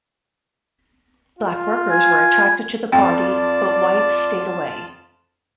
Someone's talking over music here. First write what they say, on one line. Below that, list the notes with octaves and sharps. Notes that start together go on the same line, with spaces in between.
Black workers were attracted to the party, but whites stayed away.
F4
G#5
F2 F4 D5 G5 A5